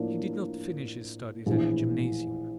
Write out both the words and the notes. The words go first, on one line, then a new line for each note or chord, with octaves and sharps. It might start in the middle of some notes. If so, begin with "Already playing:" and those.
He did not finish his studies at the gymnasium.
Already playing: A2 F3 A#3 D4
A#1 A2 E3